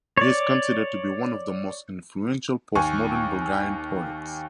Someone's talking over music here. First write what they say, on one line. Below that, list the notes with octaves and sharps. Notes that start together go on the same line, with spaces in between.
He is considered to be one of the most influential postmodern Bulgarian poets.
C#5 D5
D#2 G#5 C#6